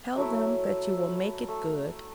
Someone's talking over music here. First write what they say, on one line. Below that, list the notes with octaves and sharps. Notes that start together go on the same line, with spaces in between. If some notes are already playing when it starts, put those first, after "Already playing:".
Tell them that you will make it good.
F#3 A3 E4 E5
A3